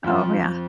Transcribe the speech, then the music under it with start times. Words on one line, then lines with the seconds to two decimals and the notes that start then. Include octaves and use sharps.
Oh, yeah.
0.04 F2 F4